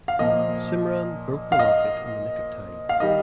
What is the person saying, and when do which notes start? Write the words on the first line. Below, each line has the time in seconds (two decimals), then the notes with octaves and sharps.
Simran broke the locket in the nick of time.
0.08 F5
0.19 A#2 F3 A#3 D#5
1.52 F5
1.59 D#5
2.89 F5
3.00 D#3 G3 D#5